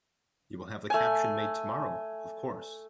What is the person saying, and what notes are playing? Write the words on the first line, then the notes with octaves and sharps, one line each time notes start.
You will have the caption made tomorrow, of course?
A3 G#5